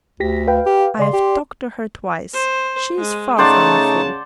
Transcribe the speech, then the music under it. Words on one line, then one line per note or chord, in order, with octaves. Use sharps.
I've talked to her twice, she is far from a fool.
D2 G4 A#6 B6
B4 F5 G5
G4
C#3 D5 C6
G4
C5
G#3
C#3 A3 D#4 C5 D5 F#5 A5